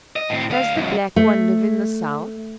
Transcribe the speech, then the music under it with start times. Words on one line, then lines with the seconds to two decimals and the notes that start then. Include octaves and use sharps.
Does the Black One live in the south?
0.16 D#5
0.29 A2 C4
0.50 D2 F5
0.75 C#2 F#2
1.16 A3